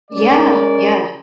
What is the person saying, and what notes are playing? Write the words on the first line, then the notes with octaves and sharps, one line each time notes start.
Yeah, yeah,
G#3 C#4 A#4 D5